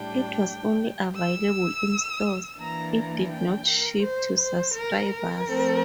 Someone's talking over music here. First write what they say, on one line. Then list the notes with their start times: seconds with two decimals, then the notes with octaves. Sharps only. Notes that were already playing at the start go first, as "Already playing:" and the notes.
It was only available in stores; it did not ship to subscribers.
Already playing: A2 G3 D4 G5
1.14 E6
2.58 E3 A#3 D4 A#5
2.94 A#5
3.30 G5
3.67 A#4
4.03 C5
4.38 C5
4.74 A#4
5.10 A#4
5.47 F3 A3 C4